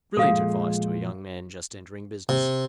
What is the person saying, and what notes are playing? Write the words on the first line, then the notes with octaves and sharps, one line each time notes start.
Brilliant advice to a young man just entering business!
A#2 D#3 F3 G#3 A4 F5
C3